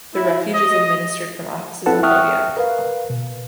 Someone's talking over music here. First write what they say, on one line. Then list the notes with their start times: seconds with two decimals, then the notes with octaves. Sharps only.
The refuge is administered from offices in Kodiak.
0.13 E4
0.52 D#5
1.86 C4 E4 A4 B4 F#5 A5
2.03 E5 G5 C#6 D#6 F6 F#6
2.57 A#4 B4 F5
3.10 B2